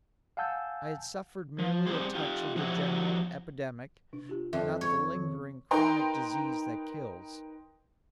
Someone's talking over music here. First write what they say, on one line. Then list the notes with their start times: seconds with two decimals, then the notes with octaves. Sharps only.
I had suffered merely a touch of the general epidemic, not the lingering, chronic disease that kills.
0.37 F5 F#5 G#5 A5 E6 G6
1.59 F3
1.87 G3 C4 G4 G#4 C5
2.15 F4 G4
2.56 F3 F#3 E4 F#4 G4 C#5
4.13 C3 D4
4.29 F4 G4
4.53 F2 E5
4.81 C#5
5.15 D#3
5.71 D#4 A#4 B4 G5 A#5 C6